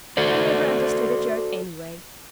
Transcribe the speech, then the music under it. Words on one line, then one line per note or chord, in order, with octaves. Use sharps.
He never understood a joke anyway.
F#4 A4 C5 D5